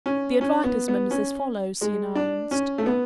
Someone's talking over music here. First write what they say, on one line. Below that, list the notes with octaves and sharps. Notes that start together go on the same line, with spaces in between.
"The advertisement is as follows," he announced.
C#4
C#4
B3
B3
C#4
G#3
D4
C#4
A3
B3